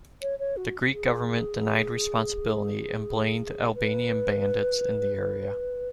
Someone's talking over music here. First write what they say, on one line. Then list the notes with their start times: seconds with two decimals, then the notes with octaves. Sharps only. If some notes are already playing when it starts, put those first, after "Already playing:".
The Greek government denied responsibility and blamed Albanian bandits in the area.
0.22 C#5
0.39 C#5
0.57 F#4
0.92 G#4
3.74 B4